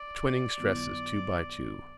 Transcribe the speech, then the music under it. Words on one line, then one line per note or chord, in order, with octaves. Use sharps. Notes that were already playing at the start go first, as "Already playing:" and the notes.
The twining stresses, two by two.
Already playing: D5
F2 D3 F#3 B3 E4